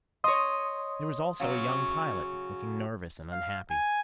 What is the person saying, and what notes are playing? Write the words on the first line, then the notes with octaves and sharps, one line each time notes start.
There was also a young pilot, looking nervous and unhappy.
C#5 D#5 C6 D#6
C#3 F#3
F5
G#5